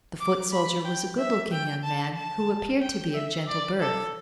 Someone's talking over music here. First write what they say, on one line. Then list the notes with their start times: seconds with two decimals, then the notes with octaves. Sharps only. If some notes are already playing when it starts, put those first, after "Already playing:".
The foot soldier was a good-looking young man, who appeared to be of gentle birth.
0.20 D6
0.52 B5
0.85 G5
1.18 E5
1.51 G5
1.83 A5
2.16 A5
2.82 G5
3.14 E5
3.47 D5
3.80 A4